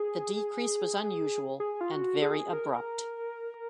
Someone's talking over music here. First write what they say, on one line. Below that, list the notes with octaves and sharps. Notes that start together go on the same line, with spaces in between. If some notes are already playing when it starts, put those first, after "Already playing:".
The decrease was unusual and very abrupt.
Already playing: G#4
G#4
F4
F#4
G#4
A#4